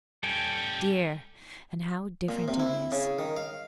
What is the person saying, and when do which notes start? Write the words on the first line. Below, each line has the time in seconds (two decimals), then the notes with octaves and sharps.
Dear! and how different it is!
0.23 G3 C#4 A4 G5 G#5
2.29 A#2
2.48 C3
2.59 E4
2.92 C#3
3.19 D#3
3.37 F5